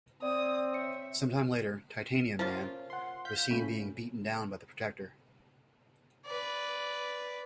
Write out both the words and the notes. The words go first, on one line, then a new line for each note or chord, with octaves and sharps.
Some time later Titanium Man was seen being beaten down by the Protector.
C4 D5 D#6
C#5 E5 C#7
F3 A#3 C#4 F4
F#5 C6
F5 G6 B6
A2 C#4 B5
B4 D5